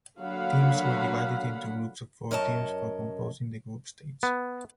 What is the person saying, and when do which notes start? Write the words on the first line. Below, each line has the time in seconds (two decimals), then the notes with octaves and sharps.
Teams were divided into groups of four teams for composing the group stage.
0.20 D3 F#3 A#3 F5 F#5 B5
2.31 F#2 A#4 C#5 D#5 G#5 A5
4.23 B3